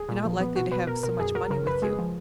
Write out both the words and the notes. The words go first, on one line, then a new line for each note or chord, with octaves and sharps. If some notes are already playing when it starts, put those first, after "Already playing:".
You're not likely to have so much money with you.
Already playing: G#4
A#2
F3
B3
B2 F#4
B2 B4
B2 A#4
B2 A#4
F#2 G#4
F#3 A#4
C#3 A#4
F#2 B4
G#3 G#4
F3